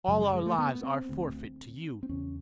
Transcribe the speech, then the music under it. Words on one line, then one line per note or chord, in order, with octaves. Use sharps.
All our lives are forfeit to you.
F#2 C#3 F#3
G3
G#3
A3
B3
C4
D2 D3
C4
E2 C#3 C#4